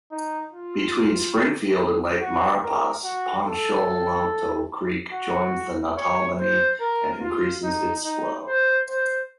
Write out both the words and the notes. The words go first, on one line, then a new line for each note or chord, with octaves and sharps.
Between Springfield and Lake Maurepas, Ponchatoula Creek joins the Natalbany and increases its flow.
D#4
F4
F#4
A#4
F#4
A4
F#4
C#5
C5
A#4
F4
D#4
D#4
C5
C5